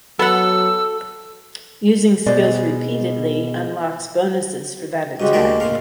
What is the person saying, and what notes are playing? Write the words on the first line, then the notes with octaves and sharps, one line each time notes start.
Using skills repeatedly unlocks bonuses for that attack.
F#3 B3 A4 F#5 E6
B2 G#3 C5 D5
G2 C#3 G#3 F#4 G4 D#5
D2 A#3 A#4 D5
A#1 F2 C3 F4 F5